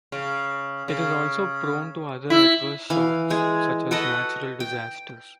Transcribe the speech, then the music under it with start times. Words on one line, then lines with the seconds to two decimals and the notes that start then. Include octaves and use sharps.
It is also prone to other adverse shocks such as natural disasters.
0.12 C#3
0.88 C#3
2.30 E4
2.90 E3 F5
3.30 G#3 G#4
3.91 F#4 A4 B4 D#5
4.60 G5